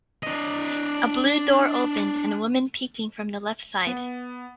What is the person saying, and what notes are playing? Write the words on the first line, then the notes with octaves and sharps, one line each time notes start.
A blue door opened and a woman peeking from the left side.
D4 D#5
B3